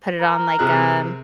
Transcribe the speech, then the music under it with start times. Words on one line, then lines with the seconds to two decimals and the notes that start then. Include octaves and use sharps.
put it on, like, um,
0.20 A#4
0.59 C3 G#4 F#6